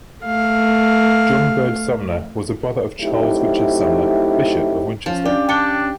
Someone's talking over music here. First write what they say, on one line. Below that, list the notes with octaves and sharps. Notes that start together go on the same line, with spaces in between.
John Bird Sumner was a brother of Charles Richard Sumner, bishop of Winchester.
A3 F5
F#3 A3 C4 D#4 E4 G4
F3 C#4
D4 G4
D4 G4 A5 C#7 G7